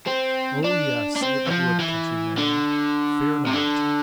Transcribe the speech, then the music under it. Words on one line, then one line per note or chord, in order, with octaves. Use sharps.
O, yes, it would--Countrymen, fear not!
C4
D4
D4
C4
E3
F3
E3
D3
C3
D3